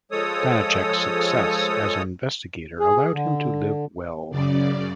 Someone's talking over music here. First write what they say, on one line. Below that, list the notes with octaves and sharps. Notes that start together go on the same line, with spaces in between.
Banacek's success as an investigator allowed him to live well.
F3 G#3 A4 C#5 D#6
G#4
D3
F#2 C#3 D5